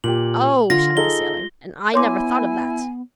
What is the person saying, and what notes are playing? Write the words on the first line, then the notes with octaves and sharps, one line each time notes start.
"Oh!" shouted the sailor, "and I never thought of that."
A#2 G4 F#7
D3 F4 A#6
D#4 G#4 A4 G7
B3 E4 C#5 G#5 C6 D6